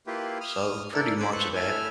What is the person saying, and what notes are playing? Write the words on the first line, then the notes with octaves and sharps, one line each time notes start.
So, pretty much of that.
A#3 E4 F4 G4 B4
D#6 F6
D4 E4 A4 A#4
A3 C#4 C5 G#5 B5 D6
A4 B4 C5 C#6 F#6
A3 E4 E5 G#5 F6